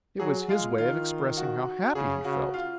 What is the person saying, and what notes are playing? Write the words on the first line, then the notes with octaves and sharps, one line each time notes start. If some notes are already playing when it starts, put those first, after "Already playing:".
It was his way of expressing how happy he felt.
F#3 G#4
G#3 F4
D#3 F4
F#4
C#3 G#4
C#3 F#4
F4